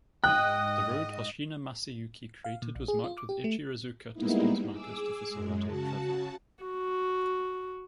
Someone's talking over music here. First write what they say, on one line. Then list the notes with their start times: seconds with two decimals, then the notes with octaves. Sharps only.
The road Hoshina Masayuki created was marked with "ichirizuka" distance markers to facilitate travel.
0.24 G#2 D#5 G5 D#6 F#6
2.44 F5
2.62 A#2
2.75 A#1
2.88 G#4
3.04 F4
3.18 D6
3.29 G4
3.44 A3
4.14 G3 G#3 A#3 B3 D#4 E4
4.70 G#4 D6 E6
5.29 F#2 G#3
5.66 C#3 F#4 A5
6.64 F#4